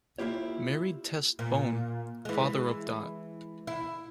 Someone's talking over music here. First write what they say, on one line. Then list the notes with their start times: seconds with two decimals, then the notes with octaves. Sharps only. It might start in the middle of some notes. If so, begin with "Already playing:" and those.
Married Tess Bone, father of Dot.
0.18 A#3 E4 F4 G4 C#5
1.39 A#2
2.25 E3 G#3
3.67 E4